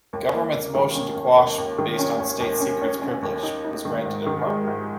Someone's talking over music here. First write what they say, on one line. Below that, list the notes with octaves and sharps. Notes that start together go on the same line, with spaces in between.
The government's motion to quash based on state secrets privilege was granted in part.
D#2
A#3
D#2
D#3
C#4
D#2
D#2
D#2
D#3
C#4
D#2
D#2
C#4
C#4
C#4
D#2
D#4
D#4
D#3
G#2
D#3
G#3
G#2